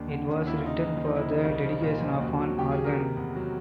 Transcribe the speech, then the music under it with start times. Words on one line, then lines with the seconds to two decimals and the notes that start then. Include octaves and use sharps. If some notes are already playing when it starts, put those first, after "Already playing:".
It was written for the dedication of an organ.
Already playing: D#2 D4
0.08 D3
0.28 D#2 C#4
0.38 D4
0.47 D#2 E4
0.56 F4
0.66 C#3 D#4
0.86 D#2
1.05 F3 D#4
1.16 E4
1.24 C#3 D#4
1.43 C2
1.63 F3
1.81 A#2 F4
2.00 F3
2.19 D#2 F#4
2.39 F#3
2.58 D#2 G4
2.71 G#4
2.78 D#2
2.84 A#4
2.97 C3
3.16 E2
3.35 F#3